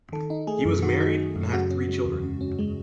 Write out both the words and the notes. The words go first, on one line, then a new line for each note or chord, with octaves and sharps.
He was married and had three children.
D#3 A4
D#4
A3 G#4
F#2
D#3 F#4
D#4
A3
F#2
C#3 F#4
C#4
G#3
E2
C#3
C#4
G#3